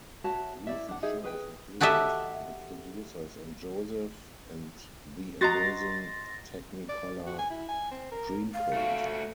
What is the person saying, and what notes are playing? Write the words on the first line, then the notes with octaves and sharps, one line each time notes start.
Recent shows include The Producers and Joseph and the Amazing Technicolor Dreamcoat.
F#4 C#5 E5 A5
E4 D5 E5
D4 F#5
D#4 G#4 E5
G#4 B4 G5
F#4 G4 A4 D#5 E5
F#4 D#5 A#5 C6 A6 A#6
D5
F#4
G#5
E4
G#5
C4
A#4
F5
A3 F#4